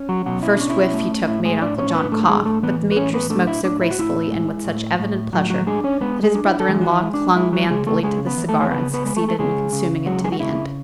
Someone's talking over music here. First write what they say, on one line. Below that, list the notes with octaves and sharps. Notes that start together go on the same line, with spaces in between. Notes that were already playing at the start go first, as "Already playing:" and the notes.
The first whiff he took made Uncle John cough; but the Major smoked so gracefully and with such evident pleasure that his brother-in-law clung manfully to the cigar, and succeeded in consuming it to the end.
Already playing: C#4
F#3 F#4
B2 F#3 F#4
E4
C#4 D4
E4
A3
A2 E4
G#3 G#4
A2 D4 D5
C#4 C#5
C#5
B3 D4 B4
A3 A4
F#4
A2 G#3 G#4
A3 A4
E3 B3 B4
B4
A2 C#4 C#5
B3 B4
A3 D4 A4
E4
A2 D4
E4
F#4
A2 E4
G#3
A2
A2
A2 F#3 F#4
F#3 F#4
G#3 D4 G#4
C#4 C#5
G#3 B3 B4
G#3 G#4
D4
E4
A4
E3 G#3 G#4
F#4
E4
G#3
D4
G#3 E4
F#3 F#4
C#3 G#3 G#4
A3 A4
C#3 G#3 G#4
B3 B4
E3
A3 A4
C#5
C#3 B3 B4
B3 B4
G#3 B4
A3 A4
A4
C#3 G#3 G#4
C#3
F#3 G#3 F#4
G#4
F#4
C#3 E4